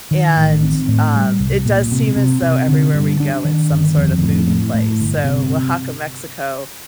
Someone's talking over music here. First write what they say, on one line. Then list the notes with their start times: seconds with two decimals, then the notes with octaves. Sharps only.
and, um, it does seem as though everywhere we go, it's some sort of foodie place, so Oaxaca, Mexico
0.11 D#3
0.37 A1
0.63 C4
0.88 A2
1.15 G3
1.39 C2
1.65 A#2
1.91 C3
2.16 C3
2.42 C3
2.68 D3
2.94 G2
3.20 D4
3.45 D#3
3.70 G1
3.97 F2
4.22 A2
4.48 A2
4.74 A2
5.00 G1
5.25 C3